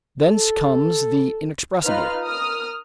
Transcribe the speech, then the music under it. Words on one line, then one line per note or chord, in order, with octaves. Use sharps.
Thence comes the inexpressible.
A4
D#4 F4 B4 F6
A#4 D#6 F6